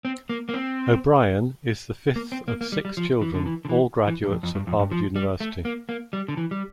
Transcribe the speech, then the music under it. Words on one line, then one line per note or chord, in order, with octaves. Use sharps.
O'Brien is the fifth of six children, all graduates of Harvard University.
C4
A#3
A#3
C4
A#3
C4
A#3
A#3
G3
G3
F3
E3
D3
E3
D3
E3
E3
G2
F2
F2
G2
F2
G2
F3
G3
A3
A#3
A#3
G3
D3
E3
G3